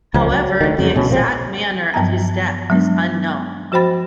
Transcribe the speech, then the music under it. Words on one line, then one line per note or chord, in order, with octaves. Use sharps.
However, the exact manner of his death is unknown.
C#2 F3
F#3
D2 D#3
F2 C#3 F#3
D2 B2 C#4
A#1 A#2 C#3 C4
G2 F3 F#3 B3 A5 A#5
F#3 G#3 B3 D4
F3 F#4 C5 G5 B5 A6